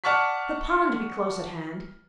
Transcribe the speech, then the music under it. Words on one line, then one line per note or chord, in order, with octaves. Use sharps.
The pond be close at hand.
D5 F#5 A5 C#6 F6 B6